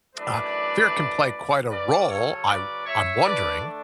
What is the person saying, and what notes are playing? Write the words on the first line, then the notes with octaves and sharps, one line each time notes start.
uh, fear can play quite a role, I I'm wondering.
F#2 E3 A3 D4 B4 D5
C#3 F#3 C#4 B4 D5
A4 C#5
B4 D5
C#5 E5
D3 A3 D4 B4 D5